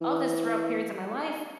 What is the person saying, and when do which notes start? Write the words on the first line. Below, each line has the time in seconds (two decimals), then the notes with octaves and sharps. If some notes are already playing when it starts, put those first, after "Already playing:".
of this throughout periods of my life
0.01 E3